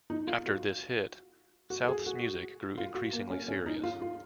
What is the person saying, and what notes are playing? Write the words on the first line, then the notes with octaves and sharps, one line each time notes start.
After this hit, South's music grew increasingly serious.
D#4
F4
F#4
F#4
F#4
G#4
F#4
F4
F#4
A#3
C#4
C#4
D#4
F4
F4